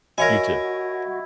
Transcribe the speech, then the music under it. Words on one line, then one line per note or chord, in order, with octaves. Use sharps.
You too.
E4 F#4 A#4 C#5 D#5 G#5